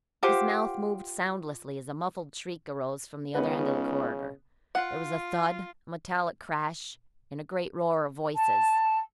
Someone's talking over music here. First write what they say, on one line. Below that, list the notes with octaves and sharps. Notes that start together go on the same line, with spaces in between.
His mouth moved soundlessly as a muffled shriek arose from the other end of the corridor; there was a thud, a metallic crash, and a great roar of voices.
F4 G4 C5 F#5
C#2 C#3 B3 D#4 B4
F4 F#5
A5